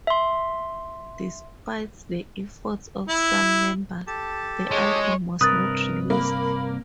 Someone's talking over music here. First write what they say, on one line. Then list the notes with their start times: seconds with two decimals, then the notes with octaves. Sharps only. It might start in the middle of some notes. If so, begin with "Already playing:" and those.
Despite the efforts of some members, the album was not released.
0.07 E5 C6
3.08 E4
4.07 G4 A4 A5
4.71 G#3 C#5
5.41 G2 C3 A#4 B4 D#6 F#6 A6
6.10 A#3 B5